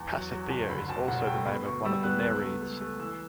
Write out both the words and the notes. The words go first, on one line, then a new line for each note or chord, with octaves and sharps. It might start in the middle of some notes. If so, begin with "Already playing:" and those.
Pasithea is also the name of one of the Nereids.
Already playing: E2
F#3
F#3
F#1
D3 B5
D2 A5
E1 F#5
A3 G5
B3 B5
D2 C#6
G3 E6
B3 F#6
C#2 F#6
A3
A3
A3
E3 E6